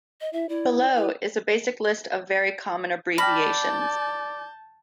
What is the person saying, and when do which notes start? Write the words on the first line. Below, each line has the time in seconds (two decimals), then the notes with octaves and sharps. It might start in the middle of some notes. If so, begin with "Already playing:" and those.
Below is a basic list of very common abbreviations.
0.21 D#5
0.33 E4 E5
0.49 E4 D5
0.82 D5
0.96 E4 B4
3.18 D5 G5 A5 B5 F6 G6 A#6